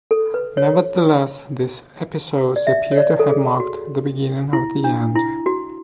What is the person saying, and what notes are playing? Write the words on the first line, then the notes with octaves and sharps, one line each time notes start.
Nevertheless, these episodes appear to have marked the beginning of the end.
A4
B4
C#5
D5
E5
C#5
D5
A4
G#4
F#4
E4
D4
E4
F#4